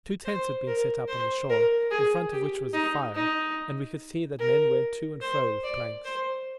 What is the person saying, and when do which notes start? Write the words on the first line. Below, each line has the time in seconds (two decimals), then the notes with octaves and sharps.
Two tents had been set up on the shore, in front of which was a fire; and we could see that men went to and fro with planks.
0.25 C5
0.67 A#4
1.08 C5
1.49 A#4
1.91 G#4
2.32 G4
2.73 D#4
3.15 D#4
4.39 A#4
5.22 C5
5.63 D5
6.05 C5